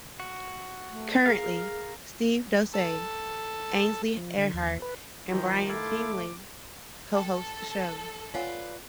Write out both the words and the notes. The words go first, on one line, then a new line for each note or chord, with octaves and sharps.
Currently, Steve Doocey, Ainsley Earhardt, and Brian Kilmeade cohost the show.
F#4
A3
G#4 A#4 F5
A4
F3
D3
D#2
B4
D#3 F3
A3 E4 F4 D6
A4 G5 A5
F4 B4 C#5 D5 F#5 G#5